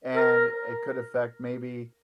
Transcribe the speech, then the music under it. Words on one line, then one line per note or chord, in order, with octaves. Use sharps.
and it could affect, maybe,
A#4